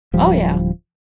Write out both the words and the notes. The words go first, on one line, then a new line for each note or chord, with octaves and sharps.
Oh yeah,
D1 F3 G3